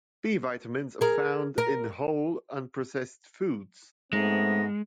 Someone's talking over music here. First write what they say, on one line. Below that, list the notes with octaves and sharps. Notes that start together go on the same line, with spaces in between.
B vitamins are found in whole unprocessed foods.
G#4 A#4
A#4
G#2 G#3 A3 B3 C4 A#6